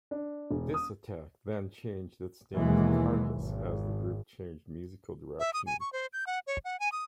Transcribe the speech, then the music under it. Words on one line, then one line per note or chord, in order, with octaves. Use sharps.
Disattack then changed its name to Carcass as the group changed musical direction.
D4
E1
D#6
D#2 B2 E3 F#3 G#3 A#3
G#1
E5
D#6
G#5
C#6
C5
G6
F#5
C#5
F#5
G#5
D#6